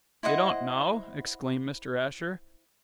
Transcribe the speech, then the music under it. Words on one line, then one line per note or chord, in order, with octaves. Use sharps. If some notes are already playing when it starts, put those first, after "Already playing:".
"You don't know!" exclaimed Mr. Asher.
E4 C5 D#5 F#5